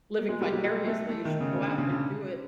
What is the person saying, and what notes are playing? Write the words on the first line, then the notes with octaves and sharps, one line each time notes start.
living vicariously. You should go out and do it,
A#3
G#3
G3
F#3
G3
A3
A3
D#3
C#3
C#3
D3
C#3
D3